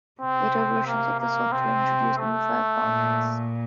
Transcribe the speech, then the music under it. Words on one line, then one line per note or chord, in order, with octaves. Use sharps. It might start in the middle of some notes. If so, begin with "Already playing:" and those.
Later versions of the software introduced new file formats.
C3 C4
A#3
A#3
C3 C4
A3
A#2